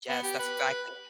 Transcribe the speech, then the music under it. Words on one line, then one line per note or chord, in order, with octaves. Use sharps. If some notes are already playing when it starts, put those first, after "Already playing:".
Yes, that's exactly
B3
G4
B4